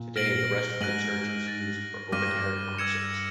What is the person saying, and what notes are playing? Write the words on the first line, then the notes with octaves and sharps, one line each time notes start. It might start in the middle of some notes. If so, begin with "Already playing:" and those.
Today, the rest of the church is used for open air concerts.
Already playing: A#2
F6 A#6 D7 F#7
G#2 F#6 A#6 D#7 F#7
F6 A6 D7
G2 D6 F6 A#6 D#7
E6 G#6 C#7 E7